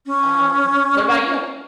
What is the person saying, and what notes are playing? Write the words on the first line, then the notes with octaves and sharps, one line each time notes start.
Um, what about you?
C#4